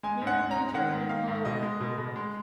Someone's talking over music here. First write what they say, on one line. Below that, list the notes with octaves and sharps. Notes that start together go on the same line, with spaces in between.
Mary bent her head low over her work.
G#3 G#5
G#2
F#5
G#2
A#5
G#3
D#3 F#5
G#2
D#3 F5
G#2
B2 D#5
G#3
B2
B2
G#3